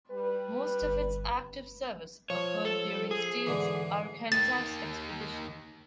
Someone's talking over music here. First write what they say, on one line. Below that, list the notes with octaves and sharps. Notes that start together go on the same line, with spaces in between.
Most of its active service occurred during Steele's Arkansas Expedition.
G3 B4
G1
F3 C#5
A4
G#4
G#2 D3 E3
D#2 D#3 A6